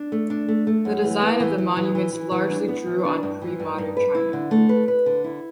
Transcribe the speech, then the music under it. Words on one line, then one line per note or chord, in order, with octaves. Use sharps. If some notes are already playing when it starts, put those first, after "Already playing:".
The design of the monuments largely drew on premodern China.
Already playing: D4
A3
D4
A3
A3
F#2
E3
B3
E3
E3
E3
E3
E3
E3
D4
B3
E3
D4
G2
E3
G2
G2
B4
E4
D3
A3
B4
B4
D3
E4